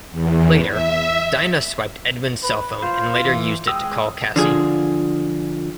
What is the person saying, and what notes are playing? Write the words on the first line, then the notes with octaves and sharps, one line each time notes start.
Later, Dinah swiped Edmund's cell phone and later used it to call Cassie.
E2
E5
B4
F4 C5
E3
G#3 G5 D#6 E6
D3 F3 G#4